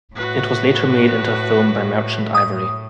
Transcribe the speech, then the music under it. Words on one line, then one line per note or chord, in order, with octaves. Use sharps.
It was later made into a film by Merchant Ivory.
A2 F#4 B4
D#6